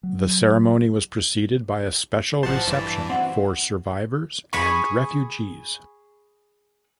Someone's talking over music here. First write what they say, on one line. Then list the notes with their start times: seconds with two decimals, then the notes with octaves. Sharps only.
The ceremony was preceded by a special reception for survivors and refugees.
0.03 F#3
2.43 A1 F3 C5 F#5 A5
2.67 G2 E3 A5
3.10 C4 E4 F#4 F#5
4.53 G#4 G#5 B5 C#6